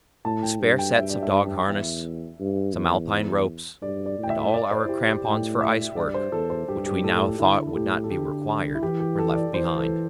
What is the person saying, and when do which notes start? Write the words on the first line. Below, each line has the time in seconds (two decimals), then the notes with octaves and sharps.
The spare sets of dog-harness, some Alpine ropes, and all our crampons for ice-work, which we now thought would not be required, were left behind.
0.25 A2 A5
0.43 G5
0.60 G2
0.78 G5
0.96 G2 E5
1.09 D5
1.23 E5
1.67 E2
2.40 G2
2.75 E2
3.82 G2 D5
4.06 D5
4.18 A2 G5
4.30 E5
4.54 D5
4.71 C5
4.84 E4
4.89 G4
5.07 G4
5.24 A2 G5
5.61 E5
5.96 G2 D5
6.14 C5
6.32 E2 A4
6.50 C5
6.68 G2 G4
6.86 G4
7.03 A2 A4
7.15 A4
7.22 G4
7.39 D3 E4
7.67 A4
7.75 A2 G4
8.04 A4
8.11 D3 G4
8.75 E4
8.83 E3 G4
9.00 G4
9.19 A4
9.36 D5
9.54 E3 C5
9.78 A4